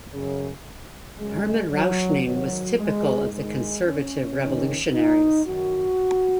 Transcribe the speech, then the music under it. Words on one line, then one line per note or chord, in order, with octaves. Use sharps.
Hermann Rauschning was typical of the Conservative Revolutionaries.
F#2 C#3
F#2 C#3 G#3
F#3
G#2 D#3 F#3
G#3
G#2 D#3 G#3
C#4
G#2 D#3
D#4
F#2 D#3 F#4